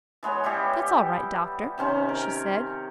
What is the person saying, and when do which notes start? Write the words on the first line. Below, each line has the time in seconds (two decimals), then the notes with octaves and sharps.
"That's all right, Doctor," she said.
0.23 E3 G#3 B3 C#5
0.44 E3 G3 E4 G4
1.78 C3 D#3 C#4 C5
2.09 A#4